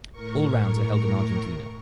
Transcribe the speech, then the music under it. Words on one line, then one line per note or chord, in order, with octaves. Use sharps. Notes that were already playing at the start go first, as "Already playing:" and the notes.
All rounds are held in Argentina.
A2 A#4 C#6